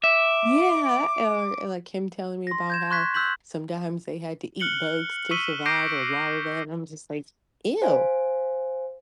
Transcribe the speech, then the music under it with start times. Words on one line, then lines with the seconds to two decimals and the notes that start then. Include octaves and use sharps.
Yeah, or or, like, him telling me about how sometimes they had to eat bugs to survive, or larvae, and I'm just like, "Ew!"
0.04 E5 D6
2.47 C6 A#6
2.70 G6 G#6 E7
2.90 C6 C#6 F#6 G#6 B6
3.14 E6 F#6 G6 B6 F#7
4.60 F6 F#6 C#7 F#7 G7
5.31 C#6 E6 B6 D#7 F#7 G7
5.66 D6 G6 A#6 C7 D7 D#7
7.82 C5 F5 G#5